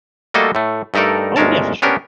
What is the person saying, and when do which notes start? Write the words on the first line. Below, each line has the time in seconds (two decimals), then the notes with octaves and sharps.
Oh, yeah, for sure.
0.34 G3 A3 A#3 F#4 A4 D#5
0.55 A2 A3
0.94 G2 A3 D#4 A4 A#4 D5
1.36 G1 D2 G#3 C#4 A#4 A5
1.82 B3 C#4 D4 G4 A#4